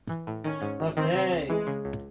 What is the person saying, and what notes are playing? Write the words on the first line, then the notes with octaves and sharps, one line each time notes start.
The Fig.
E3
A2
D#3 C#4
G#2
G#1
D#3 C4
C3
C#2
E3 G#3
C#3
C#2